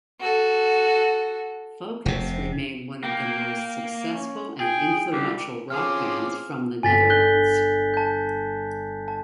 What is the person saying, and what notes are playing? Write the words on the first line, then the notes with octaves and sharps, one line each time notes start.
Focus remain one of the most successful and influential rock bands from the Netherlands.
F#4 A4
F1 C3
A#3 G5
C#4
G#4 G5
C2 G4
F3 C4 C#4 G#4 C6 D6 F6
G1 G#5 A6 B6
F#6 G6 G7
A5 G6
A5